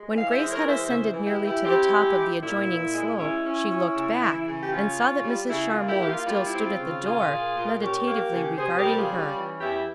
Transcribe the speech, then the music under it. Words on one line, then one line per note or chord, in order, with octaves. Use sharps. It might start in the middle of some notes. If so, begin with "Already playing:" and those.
When Grace had ascended nearly to the top of the adjoining slope she looked back, and saw that Mrs. Charmond still stood at the door, meditatively regarding her.
Already playing: G#3
E3
F5
C5 E5
G#3
A#4 C#5
E3
C5 E5
C#3 C5 E5
E3
E4 G4
E3
E4 G4
C4 E4 G4
G#3
F3
A#2 E4
A#2
G#3
C#4 E4
C#4
C#4
C#3
E3
C#3
G4
C#4 F4
C#4
G3
C#3 E4
F4
A#3
E4 G4
A#3 G4
F4
G3 F4
E4
C4
F4
C#3
F4
A#2 F4 G#4
A#2
A#2
C#4 G4 A#4
A#3
C#3
C3 G#4 C5
G4 A#4
G3
F4 G#4
C#4
F4
E3
E2 E4 G4